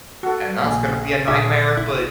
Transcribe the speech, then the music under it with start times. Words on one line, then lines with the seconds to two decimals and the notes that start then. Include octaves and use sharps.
and that's gonna be a nightmare," but
0.23 F#4 A4
0.63 A#1 G#5
1.28 A#2 E3 D4 F4 G#4 E5 D6 G#6
1.77 G#1 E4